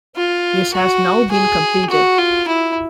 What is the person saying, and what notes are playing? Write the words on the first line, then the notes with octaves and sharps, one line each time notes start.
This has now been completed.
F4
F#4
G#4
F#4
F4
E4